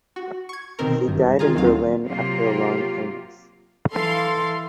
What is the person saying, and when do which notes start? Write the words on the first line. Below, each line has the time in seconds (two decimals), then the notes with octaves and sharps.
She died in Berlin after a long illness.
0.16 F#4
0.49 C#6 G#6
0.79 B2 D#3 C4 A#4
1.07 G#1 G2 D#3
1.39 D#3 F4 G#4 A#5
1.54 D2 D#3 F#3 C4 F4 F5
2.07 C3 F#3 A#3 F4 G4
3.92 E3 A4 F5 C6